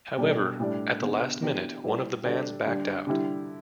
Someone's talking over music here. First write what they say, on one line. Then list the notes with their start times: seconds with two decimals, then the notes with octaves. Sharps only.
However, at the last minute, one of the bands backed out.
0.17 B2 G3 D4 A4 D5
0.60 A2 G3 D4
1.01 D3 B3 G4
1.42 E3 B3 D4 G4
1.83 G3 E4 G4 B4 D5
2.25 D3 G3 D4 A4
2.65 D3 G3 D4
3.07 D3 G3 E4 G4